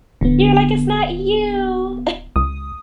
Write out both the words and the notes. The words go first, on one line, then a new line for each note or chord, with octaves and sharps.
you're like, "It's not you."
D1 D3 B3
C#2 D#6